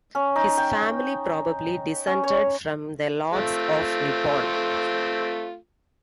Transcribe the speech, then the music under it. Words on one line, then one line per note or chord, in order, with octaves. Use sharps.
His family probably descended from the Lords of Lipporn.
C#4
D#4
G5
C#4
C#5
A3 C4 F4